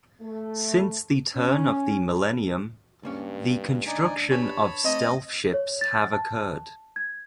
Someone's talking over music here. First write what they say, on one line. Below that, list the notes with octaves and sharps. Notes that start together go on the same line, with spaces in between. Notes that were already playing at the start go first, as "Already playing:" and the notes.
Since the turn of the millennium, the construction of stealth ships have occurred.
A3
C#4
C#2 G2 A#3 C#4
D4 D#4 D5 G#5
G4 B4 C#5 G#5 A5 B5
A3 C4 D#5
C#5
A6
A5
G#6